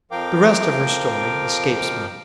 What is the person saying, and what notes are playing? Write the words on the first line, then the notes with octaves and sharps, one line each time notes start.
The rest of her story escapes me.
F2 F3 A#4 F5 G5 D6